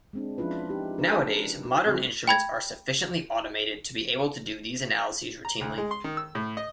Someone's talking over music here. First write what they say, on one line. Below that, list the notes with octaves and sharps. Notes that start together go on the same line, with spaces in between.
Nowadays, modern instruments are sufficiently automated to be able to do these analyses routinely.
G#3 C4 D4
F3 C#4 D4 E4 F4 B4
D#4 G4
D4 A#4 B4
F#4
C#3 G3 A3 C4
G5 B5 G#6
A#5
D2
G#3
C6
D#3
E6
A2
D#5